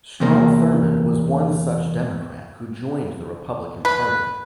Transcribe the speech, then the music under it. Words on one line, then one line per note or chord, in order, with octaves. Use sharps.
Strom Thurmond was one such Democrat who joined the Republican party.
E2 C3 A#3
B4